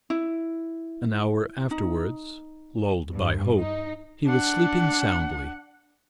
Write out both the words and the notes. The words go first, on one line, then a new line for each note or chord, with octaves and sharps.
An hour afterwards, lulled by hope, he was sleeping soundly.
E4
D#4
G2
D#4
D4 F#5